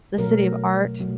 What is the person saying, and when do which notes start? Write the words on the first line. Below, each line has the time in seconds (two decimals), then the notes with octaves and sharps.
the city of art.
0.18 B2 F#3 A3 A#4
0.99 B2 F#3 A3